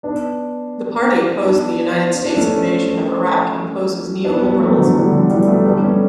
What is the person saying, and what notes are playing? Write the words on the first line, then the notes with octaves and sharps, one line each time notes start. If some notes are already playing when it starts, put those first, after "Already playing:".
The party opposed the United States invasion of Iraq and opposes neoliberalism.
B3 D4
B3 D4
C#4
D4
A3 C#4
B3 D4
G3 B3
F#3 A3
D3 F#3
E3 G3
D3 F#3
E3 G3
F#3 A3
G3 B3
A3 C#4